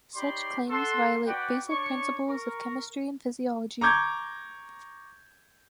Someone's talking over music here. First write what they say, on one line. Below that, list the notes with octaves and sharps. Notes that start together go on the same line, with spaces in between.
Such claims violate basic principles of chemistry and physiology.
D#4 G4 C#5 D5 B5 C6
A4 F#5 C6
F#4 B4 D5 F#5 G5
D4 C#5 D5 C#6
A#4 C#6
A#5 C#6 D6 G6 G#6